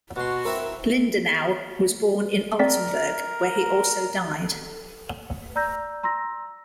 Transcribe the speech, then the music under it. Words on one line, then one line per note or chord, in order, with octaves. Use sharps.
Lindenau was born in Altenburg, where he also died.
B2 F#4 C6
C4 E4 A#4 E5
C4 A#4 D5 B6
D5 A#5 E6 G6 A#6
A#5 C6 E6 A#6